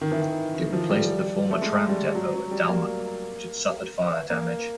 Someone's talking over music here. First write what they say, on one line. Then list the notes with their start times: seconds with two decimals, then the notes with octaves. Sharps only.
It replaced the former tram depot at Dalmarnock which had suffered fire damage.
0.01 D#3
0.12 E3
0.22 D#3
0.54 D#3
0.72 F3
0.90 G3
1.51 A3
1.62 G#3
1.89 G3
2.15 F#3
2.34 F#3
2.51 G3
2.69 A#3
4.30 A#3